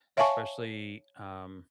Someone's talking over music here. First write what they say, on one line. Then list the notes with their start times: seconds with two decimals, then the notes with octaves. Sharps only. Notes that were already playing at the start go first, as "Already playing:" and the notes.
especially, um,
0.17 C#5 E5 F5 G#5 A5 C#6